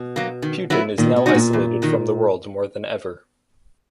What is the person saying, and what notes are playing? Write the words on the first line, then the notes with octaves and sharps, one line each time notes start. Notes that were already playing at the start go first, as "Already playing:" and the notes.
Putin is now isolated from the world more than ever.
Already playing: B2
F#3 A#3
D#3
F#3 B3 E4
A#2 D#3
B2
G#3 D#4 F#4
A#2
E2
D#3 F#3